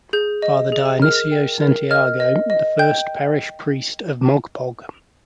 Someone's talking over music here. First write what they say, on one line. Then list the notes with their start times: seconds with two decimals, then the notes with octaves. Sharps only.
Father Dionisio Santiago the first parish priest of mogpog.
0.13 G#4 G6
0.42 D#5
0.72 G#4
1.02 A#4 F6
1.31 G5
1.61 A#4
1.91 D#5 F6
2.20 D#5
2.50 D#5
2.79 G5 G6